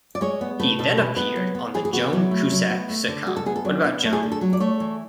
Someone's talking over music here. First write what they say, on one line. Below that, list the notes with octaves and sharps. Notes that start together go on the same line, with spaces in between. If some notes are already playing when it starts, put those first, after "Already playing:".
He then appeared on the Joan Cusack sitcom What About Joan?
D5
G#3 C#5
B3
A3 B4
B2 A4
G#3 B4
B3 B4
F#3
B3
E3 G#4
G#4
B3 F#4
F#3 E4
A3
F#3
B3
A3
D3
G#3 F#4
A4
B3 G#4
A4
F#3 D4
B3
A3 E4
G#4
D3
A4
F#3
D5
A3 C#5
E3